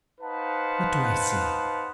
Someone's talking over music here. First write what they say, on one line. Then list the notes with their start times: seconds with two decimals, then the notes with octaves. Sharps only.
"What do I see?"
0.20 D#4 B4 C5 F5 F#5 A5